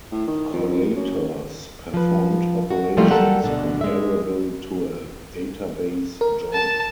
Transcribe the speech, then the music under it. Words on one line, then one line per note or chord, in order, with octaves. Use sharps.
Collators performed operations comparable to a database join.
A2
D#3
F2
F2
F#2
F3 B4
F#4
F3 G3 A3 A#3 C4 F4
F#3 G3 A4 A#4 F#5
D2 B2 D3 D4
G#3 E5
A#4
A5